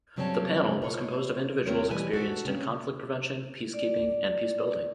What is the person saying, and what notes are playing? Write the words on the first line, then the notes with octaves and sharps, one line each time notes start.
The panel was composed of individuals experienced in conflict prevention, peacekeeping and peacebuilding.
G2 C#3 F#3 C4 C#4 A5
B2 F4 C#5
E2 A3 C4 A#4 C#5
B2 E3 G3 B4 G#5
D4 F#4 A4
C#3 A#3 C4 C#4
D5